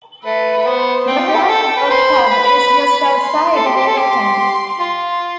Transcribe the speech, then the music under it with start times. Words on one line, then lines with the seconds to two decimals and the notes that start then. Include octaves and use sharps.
The Black Dog pub is just outside Waverton.
0.24 A3 B4
0.57 A3
0.66 B3 C5
1.07 C4 G5
1.18 F4
1.28 G4
1.34 A4
1.39 G4
1.49 A4 G5
1.62 A4
1.76 B4
1.90 C5 B5
2.31 B4
3.15 C6
3.56 A4
3.66 G4
3.76 G4
3.87 A4
3.97 G4 C6
4.80 F4